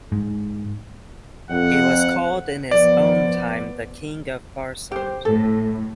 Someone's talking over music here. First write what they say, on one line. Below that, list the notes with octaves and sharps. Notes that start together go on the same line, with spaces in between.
He was called in his own time "The King of Farsund".
G#2
F2 F#5
F3 B3 D5
G4 C5
A2 A4